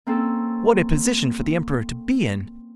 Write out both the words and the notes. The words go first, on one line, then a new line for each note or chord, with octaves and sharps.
What a position for the Emperor to be in!
A#3 C4 C#4 A4